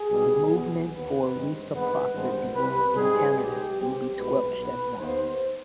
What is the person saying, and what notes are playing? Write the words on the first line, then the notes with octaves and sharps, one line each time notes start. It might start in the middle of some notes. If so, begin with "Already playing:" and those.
The movement for reciprocity in Canada will be squelched at once.
Already playing: G#4
B1 B2 G3
B1 B2 B3
D#2 D#3 B3 B4
G2 D#3 G#3 C4
G#1 G2 D#3 G#3 B3 B4
G#1 G2 D#3 G#3 B3 C5
C2 C3 G3 C4 B4
G#2 G3 C4 G#4
B1 B2 G#3 G4
B1 B2 G3 C4 G4
B1 B2 G#3 B4
B1 B2 B3 B4
D#2 D#3 B3 C5